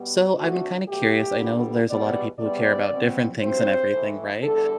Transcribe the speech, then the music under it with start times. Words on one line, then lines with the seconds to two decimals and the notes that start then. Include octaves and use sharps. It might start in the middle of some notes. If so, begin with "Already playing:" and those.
So, I've been kinda curious. I know there's a lot of people who care about different things and everything, right?
Already playing: B2 G3 B3
0.36 D2 D3 A3 C4 F#4
0.87 B2 F#3 A3 G4
1.38 D2 D3 G3 B3
1.88 E2 B2 G3 B3 D5
2.39 E2 C3 G3 B3 D5
2.90 B2 G3 C4
3.41 G2 F#3 C4 C5
3.91 A2 E3 A3
4.42 E2 D3 G3 A4